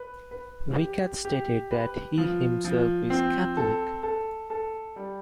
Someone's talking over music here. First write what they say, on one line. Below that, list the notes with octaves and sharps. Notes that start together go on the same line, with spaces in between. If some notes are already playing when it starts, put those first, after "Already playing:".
Weikath stated that he himself is Catholic.
Already playing: B4
B4
G4
G4
B4
F3
F3
C4
A4
A4
A4
G3